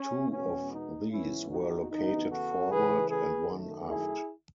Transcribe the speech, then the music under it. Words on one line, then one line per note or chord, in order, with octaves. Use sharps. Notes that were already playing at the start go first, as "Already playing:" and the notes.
Two of these were located forward and one aft.
Already playing: C#4
E2 B2 G#3 B3 C#4
D#4
G#2 E3 B3 C#4 E4
D#4 F#4
E2 C#3 E3 B3 D#4
F#4 A4
C#3 E3 A3 G#4 B4
G#4 B4
F#2 D#3 A3
E4 G#4